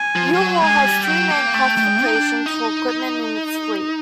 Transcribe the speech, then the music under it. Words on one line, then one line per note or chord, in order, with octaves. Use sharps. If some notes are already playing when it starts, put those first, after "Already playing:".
U-Haul has two main classifications for equipment in its fleet.
Already playing: G#5
F3
F3
F#3
G#3 G#5
G3
F#3 G5
A#3
A3
A3
G#3
D#4
D4
D#4